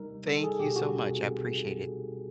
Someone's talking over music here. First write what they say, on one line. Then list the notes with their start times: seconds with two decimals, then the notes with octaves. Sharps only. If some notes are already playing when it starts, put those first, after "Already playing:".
Thank you so much, I appreciate it.
Already playing: G3 D#4 A#4
0.10 G3
0.27 G3 A4
0.43 D#4 G#4
0.60 B2 G4
0.76 G3 F#4
0.92 B2
1.08 C4